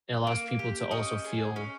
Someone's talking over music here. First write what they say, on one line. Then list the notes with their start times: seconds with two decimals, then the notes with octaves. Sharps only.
it allows people to also feel
0.27 A#3
0.59 G4
0.91 C#4 D#5 G5
1.24 G#4
1.56 C#4